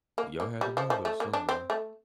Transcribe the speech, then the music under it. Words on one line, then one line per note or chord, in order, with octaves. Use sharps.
Well, y'all had to learn, though, somewhere.
A#3
A#3
G3
F3
F3
A3
A#3
D4
C4
A3